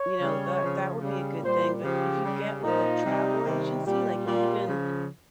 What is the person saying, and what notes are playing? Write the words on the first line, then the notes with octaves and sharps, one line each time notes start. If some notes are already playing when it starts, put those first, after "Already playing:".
you know, that that would be a good thing, but if you get with a travel agency, like even
Already playing: C#5
C#3 G3
C#3 F3
C#3 G3
A#2 G3 C5
C#3 F3 G4
C#3 G3
A#2 F3 D#4
C3 G3
C3 D#3 G3
A#2 G3 G4
A#2 G3 F4
C#3 F3